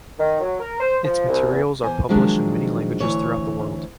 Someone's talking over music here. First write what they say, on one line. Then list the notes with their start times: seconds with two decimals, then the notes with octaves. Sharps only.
Its materials are published in many languages throughout the world.
0.19 D#3
0.40 F#3
0.60 A#4
0.80 C5
1.03 F3
1.29 C2
1.51 E2
1.84 E2 C5 G#5
2.09 D#3 F3 F#3 G#3 D4
3.00 D2 E3 C#5